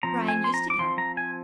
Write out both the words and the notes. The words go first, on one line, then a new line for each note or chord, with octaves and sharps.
'Brian used to come.'
F3 C4 A#5
G#5
C6
A#5
D6
F3 C4 C6
A#5
G#5